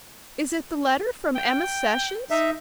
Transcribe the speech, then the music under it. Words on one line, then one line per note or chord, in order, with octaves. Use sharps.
Is it the letter from Emma Sessions?
G5
D#4 E5